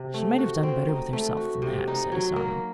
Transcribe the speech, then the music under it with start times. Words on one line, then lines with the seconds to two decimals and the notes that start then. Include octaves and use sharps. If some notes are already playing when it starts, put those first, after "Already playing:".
"She might have done better with herself than that," said Asano.
Already playing: C3
0.14 A3
0.38 F#4
0.63 C4
0.88 D#4
1.13 A3
1.37 F#4
1.62 C3
1.87 D#4
2.12 F#3
2.36 A#3